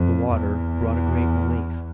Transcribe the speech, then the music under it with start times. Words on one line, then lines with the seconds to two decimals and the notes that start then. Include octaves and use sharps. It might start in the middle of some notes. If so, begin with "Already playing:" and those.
The water brought a great relief.
Already playing: F2
0.31 E2